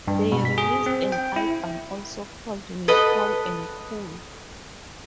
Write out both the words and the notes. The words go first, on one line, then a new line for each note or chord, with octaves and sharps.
They released an album, also called "Nicol and Cool".
G2
B2
B6
G#4
C4
G5
E4
A4 B4 D#5 F#5